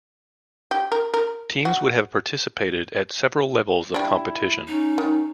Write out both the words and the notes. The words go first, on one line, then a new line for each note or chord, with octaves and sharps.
Teams would have participated at several levels of competition.
G4
A#4
A#4
F#4
G3 D4 E4
C#4 D#4
D#3